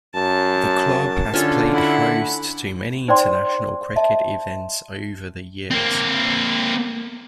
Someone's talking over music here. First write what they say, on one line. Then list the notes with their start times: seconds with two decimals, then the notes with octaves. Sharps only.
The club has played host to many international cricket events over the years.
0.15 F#2 A5
1.34 D3 C#4 F4 A4
1.71 E4 F#5
3.08 D#4 C5 D5 G5 C6
3.96 D#5 E5 A5
5.71 A#3 C4